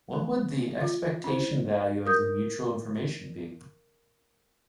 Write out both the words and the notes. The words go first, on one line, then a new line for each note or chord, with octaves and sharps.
What would the expectation value of the mutual information be?
A3
F4
C#4 E4 C5
A#4 D#6 G6